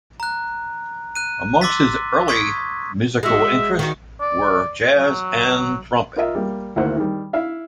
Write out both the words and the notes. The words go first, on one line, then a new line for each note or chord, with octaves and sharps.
Amongst his early musical interests were jazz and trumpet.
A#5 F#6
F#6 D#7
C6 D6 E6 A6 B6
C#6 D#6 G#6 B6
G#3 F#4 E5
D#3 F#4
D5
F#3
F4 A#4 D#5 E5
G3 A#3
D2 D#3 A#3 E4 C5 F#5
D#3 G3
E4 E5 F5